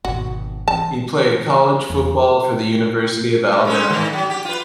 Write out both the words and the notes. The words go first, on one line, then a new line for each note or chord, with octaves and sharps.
He played college football for the University of Alabama.
G#1 B2 F#4
E3 C4 A5
E2
A2
G#3 C#4 A4
D3 D#3
F#3
G4
F4 B4